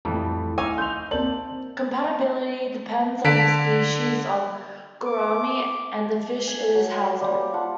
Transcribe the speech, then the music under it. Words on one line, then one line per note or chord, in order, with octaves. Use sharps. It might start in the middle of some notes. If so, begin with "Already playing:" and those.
Compatibility depends on the species of gourami and the fish it is housed with.
F2 A2 E3 G3 A5 B5
D#4 F5 G#5 C#6 D6 E6
C6 G6 F7
A#3 C4 D5 A5 F#7
D3 A5 B6 D7
D6
G#5
F#3
G3 A#3 G4 C5
F4 F#5 A5